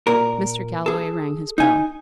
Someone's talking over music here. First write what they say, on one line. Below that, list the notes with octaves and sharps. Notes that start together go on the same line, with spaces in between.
Mr. Galloway rang his bell.
A#2 A#4
G#4 A4
D#4 G#5